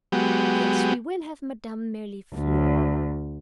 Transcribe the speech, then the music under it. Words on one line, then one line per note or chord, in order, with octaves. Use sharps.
Yes, we will have Madame Mirliflore.
F#3 G#3 B3 G4
D2